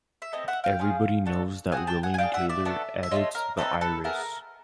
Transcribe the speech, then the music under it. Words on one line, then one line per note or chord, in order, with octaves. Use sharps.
Everybody knows that William Taylor edits the Iris.
E5
A3 C4 E4 C#5 D#5
E5 F#5
F5 G5
C#4 F4 G#4
D4 F#4 A4
C4 F4 F#5 G#5
G#4
G5 A5
F#5 G#5
G#5
D4 F4 G#4 F5 G5
E5 F#5
D5 E5
B3 D4 F#4 A4
E5
A3 C4 F4 C#5 D#5
A#4
A3 C4 D#4 A4 B4
A4 B4
B3 E4 G#4 A#4